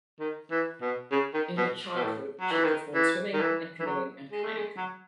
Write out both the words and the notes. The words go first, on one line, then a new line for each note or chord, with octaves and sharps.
In her childhood she performed swimming and canoeing and kayaking.
D#3
E3
B2
C#3
D#3
B2
B2
A2
F#3
E3
D#3
E3
D#3
E3
E3
F#3
G#3
A3
G#3
F#3